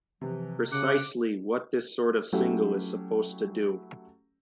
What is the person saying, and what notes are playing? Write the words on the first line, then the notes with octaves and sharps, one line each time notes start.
Precisely what this sort of single is supposed to do.
C3 E3 F3
C#3 F#5 D6
F#3 A3 C#4 E4 G4